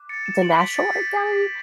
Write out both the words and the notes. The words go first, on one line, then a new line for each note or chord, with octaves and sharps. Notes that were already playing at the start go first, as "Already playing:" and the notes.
the National Art Gallery?
Already playing: D6 F#6
A6 C#7
C#7 E7
C#6 F#6 D7 F#7
B6 D7
A6 C#7
B6
D6 F#6 G6
A6